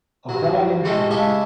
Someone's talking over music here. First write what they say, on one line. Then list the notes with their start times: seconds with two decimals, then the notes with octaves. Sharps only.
Of that I am sure.
0.29 G2 F#3
0.85 C3 G#3 A3 C4 C#4
1.11 C#3 G#3 G4 A4 C#5 E5